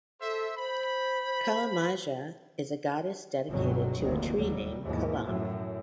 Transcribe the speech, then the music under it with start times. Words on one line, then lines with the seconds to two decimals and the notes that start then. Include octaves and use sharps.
Kalamaja is a Goddess dedicated to a tree named Kalamb.
0.21 A4 C5 E5
0.57 C5 B5
3.49 G1 C#2 B2 F#3 C4
4.00 F1 D2 D#3 F#3 A#3
4.35 D#2 F#3 G3
4.82 D#2 G#2 B2 E3 F3
5.22 F#2 A2